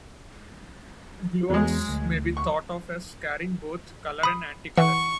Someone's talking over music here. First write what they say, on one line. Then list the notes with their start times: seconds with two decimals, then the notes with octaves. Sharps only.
Gluons may be thought of as carrying both color and anticolor.
1.50 E2 F#3 G#3
1.89 D2
2.37 C#6
4.23 B5 D#6
4.77 E3 F#5 C#6